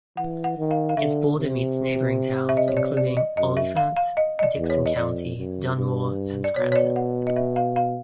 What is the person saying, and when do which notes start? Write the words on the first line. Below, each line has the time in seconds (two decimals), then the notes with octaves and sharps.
Its border meets neighboring towns, including: Olyphant, Dickson City, Dunmore, and Scranton.
0.17 E3 F#5
0.44 F#5
0.57 D#3
0.71 F5
0.89 F5
0.97 D3 E5
1.37 C3
2.49 E5
2.57 D#5
2.68 C#5
2.77 D5
2.97 D5
3.17 D#5
3.37 F#2 D#5
3.57 E5
3.77 F5
3.97 F5
4.17 D#5
4.39 D#5
4.43 D5
4.57 E2
4.70 C#5
4.86 D#5
4.96 F2 D5
5.37 F#2
5.76 G2
6.44 D5
6.56 B2 C#5
6.72 C#5
6.76 D5
6.96 F#5
7.27 D#5
7.36 E5
7.56 F5
7.76 F5